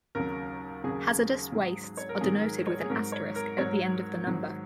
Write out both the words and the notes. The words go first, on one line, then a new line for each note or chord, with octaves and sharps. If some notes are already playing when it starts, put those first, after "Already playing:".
Hazardous wastes are denoted with an asterisk at the end of the number.
D#2 C#3 F#3 A#4
D#2 C#3 F#3 G#4
G#2 D#3 F#3
C#5
A#4
G#2 D#3 F#3 G#4
A#4
C#5
G#4
G#2 F#3 A#4
C#5
A#4
G#2 F#3 C#5
G#2 D#3 F#3